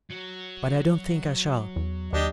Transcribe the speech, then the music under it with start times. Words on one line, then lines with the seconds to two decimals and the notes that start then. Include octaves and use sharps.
But I don't think I shall.
0.10 F#3
1.76 E2
2.13 D#2 D4 G4 D#5